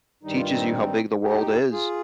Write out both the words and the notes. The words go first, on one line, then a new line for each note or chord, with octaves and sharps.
teaches you how big the world is,
G2 D#3 G3 D#4
F4
C4 D#4
D#4 G4
F4 G#4